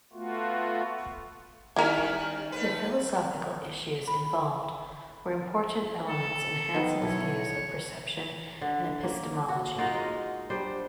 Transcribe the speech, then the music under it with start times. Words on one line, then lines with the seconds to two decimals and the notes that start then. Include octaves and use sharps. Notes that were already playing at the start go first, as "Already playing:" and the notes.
The philosophical issues involved were important elements in Hanson's views of perception and epistemology.
0.13 A3 B3 F4 F#4
1.76 D#3 G3 C#4 E4 A#4
2.52 A3 B4
4.08 B5
6.08 A4
6.75 D#3 B3
7.02 B1 E3 C#5
8.61 D3
9.03 A#3 C#4
9.48 F#4
9.78 D#4 F4 F#4 A#4
9.94 G#3 A#4 D#5
10.50 G3 D4 C5